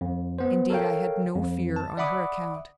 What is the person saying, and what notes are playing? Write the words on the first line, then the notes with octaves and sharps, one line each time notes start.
Indeed I had no fear on her account.
F2
B3 C5
A4 A#4 C#5 F5 G5
F2
A5
D5 E5 F#5 B5 D6 D#6